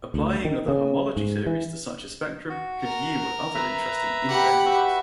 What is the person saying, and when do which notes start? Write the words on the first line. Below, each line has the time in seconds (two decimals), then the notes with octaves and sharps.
Applying other homology theories to such a spectrum could yield other interesting invariants.
0.14 D2
0.45 D#3
0.68 C#3
1.16 G#2
1.46 E3
2.50 F#4
2.82 A#4
3.55 B4 E5 A#5
4.29 G4 F#5 B5
4.66 F#4 B4 E5